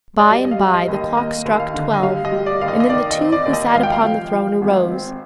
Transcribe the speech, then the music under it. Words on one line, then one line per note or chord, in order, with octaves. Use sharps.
By-and-by the clock struck twelve, and then the two who sat upon the throne arose.
D5
G3 D#5
D#5
F5
G3
D#5
D#2
D#5
A#3 D#5
D#2
F5
D3
D#5
G3 F5
D#5
G3
D5
D#2 F5
D#5
D#5
D#3 D5
D#5
C4
D5
D#2 D5
D#5
G#1 F5
G5
F5
F3
F3
G#1
C4